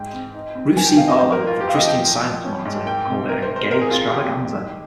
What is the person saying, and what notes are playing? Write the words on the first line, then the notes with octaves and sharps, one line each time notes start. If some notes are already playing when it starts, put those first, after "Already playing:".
Ruth C. Barlow of the "Christian Science Monitor" called it a "gay extravaganza".
Already playing: G#2 G5
C4
D#4
C4
A#3 G#5
G5
D#4 F5
D#5
F2 C5
A#4
A#3
F4
A#3 G4
F5
D#5
F3
G5
A#2
F3
C#4
G#2
A#3 G5
C3
C4 A#4
C5
G#2
C5
A#2 A#4
G#4
C4 F4
F2 G4
F2
D#3